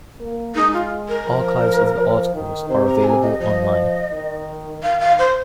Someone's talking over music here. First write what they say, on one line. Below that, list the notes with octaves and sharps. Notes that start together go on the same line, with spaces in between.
Archives of the articles are available online.
A#3
G#3 D#4
F4
A#4
F3
F3
D#3
C3 C5
A#5
A#5
G#5
D#5
F3 D#5
D#3
D#3 F5
F5
C5